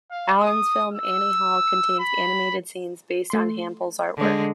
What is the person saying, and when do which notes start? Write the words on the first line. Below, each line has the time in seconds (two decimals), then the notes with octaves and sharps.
Allen's film "Annie Hall" contains animated scenes based on Hample's artwork.
0.11 F5
0.41 D#6
0.93 E6
1.99 B5
3.30 A3 C6
4.17 D3 G#3